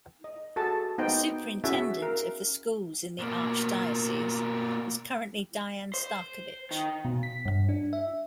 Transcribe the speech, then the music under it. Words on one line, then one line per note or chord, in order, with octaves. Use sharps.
The superintendent of the schools in the Archdiocese is currently Diane Starkovich.
D#5
F#4 G#4 A4 A5
B3 D#4 C5 G5
C#4 E4 F#4 G#4 E5
A#4
B2 A#3
C5
D#3
B2
B6
G2
D4
E5